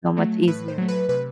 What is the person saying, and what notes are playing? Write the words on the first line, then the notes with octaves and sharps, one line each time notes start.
So much easier.
F#3 A3
A2 B4
C5
F#3 A3
B4
C3 B4